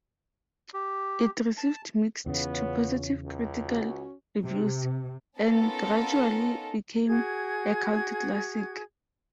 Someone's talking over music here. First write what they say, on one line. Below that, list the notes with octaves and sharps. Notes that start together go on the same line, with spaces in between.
It received mixed to positive critical reviews, and gradually became a cult classic.
G4
A5
E2 C#3 B3 C#4 F4 C#5
C#2
C#4 F#4
C3
B3 C#4 D#4 F4 A4 A#4
F#4 G#4 G#6